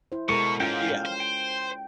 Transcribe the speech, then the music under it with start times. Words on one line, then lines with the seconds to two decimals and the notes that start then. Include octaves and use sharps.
Y yeah.
0.12 E4 C5
0.29 B2 G#3 A4 A#4 C#6
0.60 G#2 C#4 F4 F5 G5
1.06 C5
1.20 G5